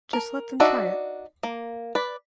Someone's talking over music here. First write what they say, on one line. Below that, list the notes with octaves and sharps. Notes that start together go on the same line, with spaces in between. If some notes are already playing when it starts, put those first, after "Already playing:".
Just let them try it.
A#4
D4 D#4 F#4 D5 E5
A#3
B4 D5